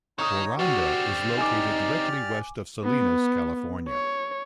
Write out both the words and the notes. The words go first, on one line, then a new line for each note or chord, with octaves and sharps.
Boronda is located directly west of Salinas, California.
D#3 D#4 C#5 C#6 D#6
D3 C4 F#4 G4 D5 F6
D#4 G#5 D6
B3
C#5